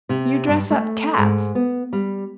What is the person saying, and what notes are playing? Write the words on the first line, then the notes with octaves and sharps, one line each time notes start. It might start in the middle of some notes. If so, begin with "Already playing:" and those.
"You dress up cats."
C3
G2
A3
G#2
B3
G3